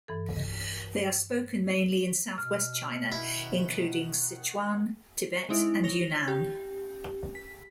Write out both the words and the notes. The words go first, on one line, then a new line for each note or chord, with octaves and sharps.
They are spoken mainly in Southwest China, including Sichuan, Tibet and Yunnan.
G2 E3 A4
B2 F6
D#3 E4 F#5
G#3 C4 D#4 E4 D7
C#5 A#6 F7 G7
G4
B6